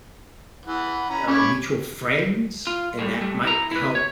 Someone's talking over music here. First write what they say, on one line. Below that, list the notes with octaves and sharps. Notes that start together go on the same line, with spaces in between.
uh, mutual friends, and that might help
E3 F#5
C#4 A#5 B5
C#4 C#5 B5 D6
F4
A2 G3
G3 A3
E4 A#5
E4 B4
C#5